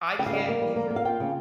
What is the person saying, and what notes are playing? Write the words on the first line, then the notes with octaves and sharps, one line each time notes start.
I can't even
C#3 G5
F5
G3 D#5
F5
A#3
G3
A#3
A#3
F5
F4 G5
C#3